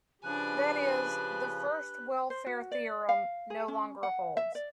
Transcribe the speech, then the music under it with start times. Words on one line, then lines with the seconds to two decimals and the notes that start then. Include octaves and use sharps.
That is, the First Welfare Theorem no longer holds.
0.24 C#3 F3 D4 G4 B4 G#5 F#6
2.30 C5
2.46 F#4
2.71 D5
3.09 F5
3.50 G#4
3.68 C#4
4.03 F#5
4.37 E5
4.55 D5